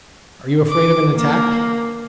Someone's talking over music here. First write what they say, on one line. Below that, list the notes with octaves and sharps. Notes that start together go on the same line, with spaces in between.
Are you afraid of an attack?
D6
A#3